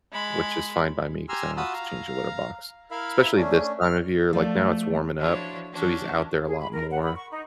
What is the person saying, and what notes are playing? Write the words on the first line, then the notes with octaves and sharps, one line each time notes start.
Which is fine by me 'cause I don't have to change a litter box. Especially this time of year, like, now it's warming up, so he's out there a lot more.
G#3 B5
G4 G#5 A#5 C6 E6 F6
F4 F#4 A5 B5 D#6 E6
F5 A#5
E4 A#4 E5 F5 B5
A3 C#4 D4
F6
F3 A3 D5
F3 D4 E4 F#4 A4 C#5
E3 C#4 D4 F#4
G#4
B5
A#4
F#5
B5
C#6
D#4